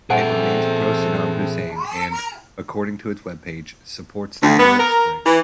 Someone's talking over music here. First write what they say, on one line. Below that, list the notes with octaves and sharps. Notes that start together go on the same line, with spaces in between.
It remains pro-Saddam Hussein and, according to its webpage, supports the Arab Spring.
A#2 C4 G#4 A4 C5 E5 F#5 G#5
D2
B3
A#4
E3